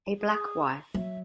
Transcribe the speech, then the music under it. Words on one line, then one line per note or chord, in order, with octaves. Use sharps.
A black wife.
G#4
F#3 E5